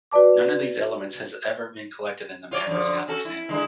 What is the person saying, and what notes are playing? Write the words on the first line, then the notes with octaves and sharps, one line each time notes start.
None of these elements has ever been collected in a macroscopic sample.
F#4 B4 D5 A5 D6
F4 C#5 D5
F#2 D3 F3
C#4 F#4 A4
E4
D3 G#3 E4